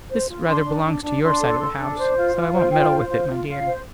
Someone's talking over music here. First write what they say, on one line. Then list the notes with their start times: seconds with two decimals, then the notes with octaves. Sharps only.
"This rather belongs to your side of the house, so I won't meddle with it, my dear."
0.09 C5
0.29 F4
0.47 D4 C6
0.65 D4
0.85 D4
1.03 D4
1.23 D4 C6
1.41 A4
1.59 A4
1.78 D4
1.98 C5
2.16 F4
2.35 F4
2.54 C5
2.72 F4 G5
2.91 C5
3.09 F4
3.28 F4
3.48 F4 F5
3.66 C5